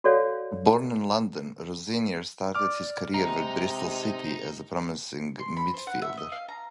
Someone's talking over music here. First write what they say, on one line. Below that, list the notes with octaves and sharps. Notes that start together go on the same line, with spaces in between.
Born in London, Rosenior started his career with Bristol City as a promising midfielder.
F#4 A4 C#5 D5 F5 F#5
D5 D6 F6
C3 G#3 D#4 D#5 A#5
C6
B5
C5
F#5
E5
D#5
F5
A#5